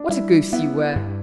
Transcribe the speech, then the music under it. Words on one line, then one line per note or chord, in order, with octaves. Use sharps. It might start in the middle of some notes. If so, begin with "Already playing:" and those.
"What a goose you were."
Already playing: D4
G3 E4
B3 E4
G2